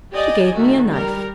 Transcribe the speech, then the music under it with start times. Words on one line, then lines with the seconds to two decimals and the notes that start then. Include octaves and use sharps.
'She gave me a knife.'
0.12 G4 D5 D#5 G#5
0.54 D#3 A3 F#4
0.87 G3 A#4